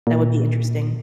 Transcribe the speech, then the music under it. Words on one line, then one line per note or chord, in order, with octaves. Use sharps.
That would be interesting.
A#2